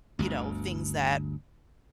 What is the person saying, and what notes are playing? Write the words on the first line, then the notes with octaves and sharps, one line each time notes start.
you know, things that
G1 D2